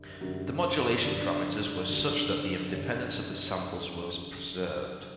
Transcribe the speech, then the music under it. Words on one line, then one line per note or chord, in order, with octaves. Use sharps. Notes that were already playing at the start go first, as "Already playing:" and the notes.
The modulation parameters were such that the independence of the samples was preserved.
Already playing: F#2 D3 G3
F#2 D3 G3 F#4
G2 D3 F#3 D5
G2 D3 F#3
F#2 D3 G3 C#5
C#5